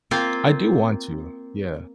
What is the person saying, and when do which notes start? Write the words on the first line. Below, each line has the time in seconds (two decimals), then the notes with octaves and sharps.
I do want to, yeah,
0.11 A#3 C4 F4 F5